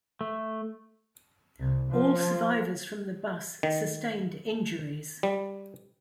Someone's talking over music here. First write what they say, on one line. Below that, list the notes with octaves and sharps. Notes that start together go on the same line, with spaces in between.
All survivors from the bus sustained injuries.
A3
C2
F3
D#3
G3